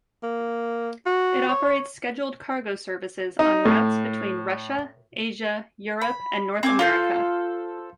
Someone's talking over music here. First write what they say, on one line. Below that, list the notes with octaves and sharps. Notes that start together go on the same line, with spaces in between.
It operates scheduled cargo services on routes between Russia, Asia, Europe and North America.
A#3
F#4
C#5
D#4
A2
B5
C4 G#5 D6
F4 A4 C5